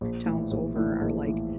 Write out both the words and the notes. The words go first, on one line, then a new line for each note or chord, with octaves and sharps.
towns over are, like,
A#1
A2 E3
A#1
A2 E3
A#1
A2 E3